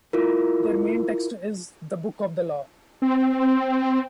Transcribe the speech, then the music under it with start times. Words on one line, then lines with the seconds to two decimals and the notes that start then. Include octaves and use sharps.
Their main text is "The Book of the Law".
0.13 E4 F4 A#4
3.02 C4